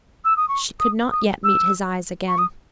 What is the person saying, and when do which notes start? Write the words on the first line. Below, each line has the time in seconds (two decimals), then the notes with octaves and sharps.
She could not yet meet his eyes again.
0.24 E6
0.36 D#6
0.48 C#6
0.79 D#6
1.11 D#6
1.43 E6
2.27 C#6
2.38 D#6